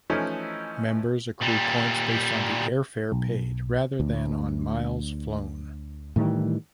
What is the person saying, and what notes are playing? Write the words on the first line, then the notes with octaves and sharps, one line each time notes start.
Members accrue points based on the airfare paid rather than on miles flown.
E3 F3 A3 C#4 D#4 E4
A#2 G3
B1
D2
A2 D#3 E3 G3